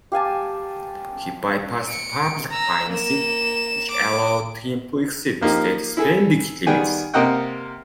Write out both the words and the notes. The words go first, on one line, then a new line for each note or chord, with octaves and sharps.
He bypassed public financing, which allowed him to exceed state spending limits.
G4 F5 G#5 A5
C#7 D7
A#5 E6
A#3 E7
D6
F3 A#3 D#4 G4
E4 G#4 A4
D#3 G3 B3 G#4 G5 G#5
C3 A#3 A#4 D#5 F#5 G5